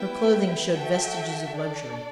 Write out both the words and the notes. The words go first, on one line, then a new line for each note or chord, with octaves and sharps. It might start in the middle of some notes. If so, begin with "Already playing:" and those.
Her clothing showed vestiges of luxury.
Already playing: B3 E4 B4 E5 G5
F#4 A4 E5 G5
D4 A4 D5